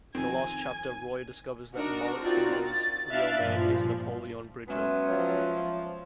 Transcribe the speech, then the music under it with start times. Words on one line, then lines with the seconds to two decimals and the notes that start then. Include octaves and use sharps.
In the last chapter Roy discovers that Mullet Fingers's real name is Napoleon Bridger.
0.15 F2 D#3 C4 G#5
1.75 D4 D#4 F#4 A#4
2.21 C4 D#4 F4 F#4 A#4 D5
2.67 A6
3.09 D4 E4 E5 F5 F#6 A6
3.41 G2 A#2 F3
4.68 F#3 G#3 B3 C#4 E5 C6
5.08 F3 C#5 D#5